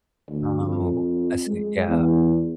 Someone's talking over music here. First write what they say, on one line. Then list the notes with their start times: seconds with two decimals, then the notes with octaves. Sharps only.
Oh, I see, yeah.
0.28 D2
0.60 F2
1.47 G#3
1.88 E2